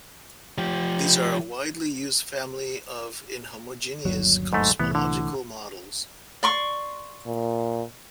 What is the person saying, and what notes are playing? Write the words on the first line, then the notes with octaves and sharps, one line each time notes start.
These are a widely used family of inhomogeneous cosmological models.
F3 G4
G1 D#2 F#3
G#2 A3
C2 A2 E3 B3
D3
D5 C6 C#6
A#2